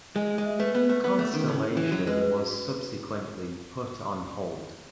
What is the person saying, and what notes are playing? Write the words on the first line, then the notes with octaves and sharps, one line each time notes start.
Constellation was subsequently put on hold.
G#3 G#5
G#5
G#3
E5
A3 B4
B3 B4
A3 B4
B3 F#5
A3 G#4
D#3 C#4
C#3 G#4
C#4
E3 C#4
F#3 F#4
G#3 B4
B4
F#4
F#4